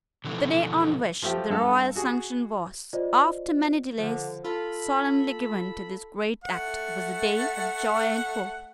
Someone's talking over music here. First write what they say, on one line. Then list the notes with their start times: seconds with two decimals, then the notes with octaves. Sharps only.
The day on which the royal sanction was, after many delays, solemnly given to this great Act, was a day of joy and hope.
0.24 B2 D3 E3 F3 A3
1.23 F3 A3 F4 G4
1.50 G2 A4 F5
1.96 F#4 G#4
2.93 F4 C5 D5 D#5
3.98 D3 F3
4.44 F4 A4 B5
6.44 A3 F#5